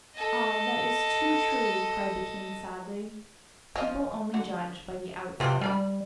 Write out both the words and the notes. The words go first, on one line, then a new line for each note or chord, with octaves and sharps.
"Ah, that is too true!" cried the king, sadly, "People only judge by the outside."
A4 D#5
F3 D#5
D3 F#4 F#5
C3 C4 F4 B4
G3 A#4 D5 B5